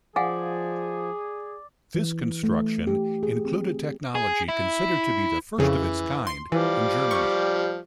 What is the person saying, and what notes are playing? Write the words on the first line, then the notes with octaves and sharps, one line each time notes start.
This construction included technology considered to be the first of its kind in Germany.
F3 G#4 D5 F5 F#5 G#5
E3
A3
G4
G#4
C4
G#4
E4
F2 C#3 E3
C6
E3 F3 G3 D6
C#6